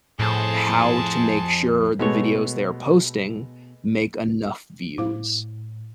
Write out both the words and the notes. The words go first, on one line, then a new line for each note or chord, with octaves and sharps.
how to make sure the videos they're posting make enough views,
F2 A2 G#4 C5 A5
B2 G#3 A3 B3 C#5
A2 E4 C5 F5